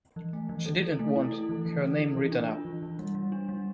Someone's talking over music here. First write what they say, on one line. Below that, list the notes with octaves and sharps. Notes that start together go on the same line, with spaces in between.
She didn’t want her name written up.
E3
A3
E3
A4
E4
A3
E4
A4
E3
E3
A4
E4
E3
D4
F4
E3
E3
G3
G3
D4
G3